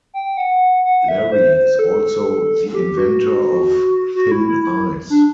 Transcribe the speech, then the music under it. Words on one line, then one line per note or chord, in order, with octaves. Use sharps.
Larry is also the inventor of "Thin Ice".
G5
F#5
F#5
E5
C5
C5
A4
G4
F#4
F#4
E4
E4
E4
D4